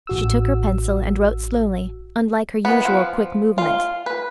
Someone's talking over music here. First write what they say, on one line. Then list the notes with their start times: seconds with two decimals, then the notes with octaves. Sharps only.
She took her pencil and wrote slowly, unlike her usual quick movement.
0.07 A1 F#4 E6
2.65 B3
2.85 F3
3.58 F4
4.06 B4